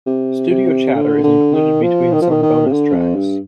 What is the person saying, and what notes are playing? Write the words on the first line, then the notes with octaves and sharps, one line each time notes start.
Studio chatter is included between some bonus tracks.
C3
C3
D3
D3
D#3
F3
D#3
F3
D#3
D#3
C3
D3
F2
G2